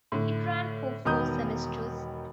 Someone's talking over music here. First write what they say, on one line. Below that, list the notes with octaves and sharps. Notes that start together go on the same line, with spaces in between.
It ran for four semesters.
A2 D3
E1 D#3 B3 A#5 D#6 G6